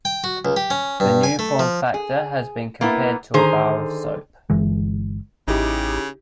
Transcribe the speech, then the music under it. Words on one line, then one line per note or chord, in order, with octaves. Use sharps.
The new form factor has been compared to a bar of soap.
G5
F#4
C#2
G4
C#4
G2
G#5
A3
F3
G#4
A#3 B3 E4
D3 D#3 G#4 C5 A#5
G1 E3 G#3
A1 C#3 D#4 E4 G4